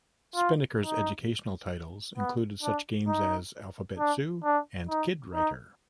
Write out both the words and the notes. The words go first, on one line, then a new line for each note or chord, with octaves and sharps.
Spinnaker's educational titles included such games as "Alphabet Zoo" and "Kidwriter".
F4
D#4
B3
D4
D#4
D4
D4
D#4
D#4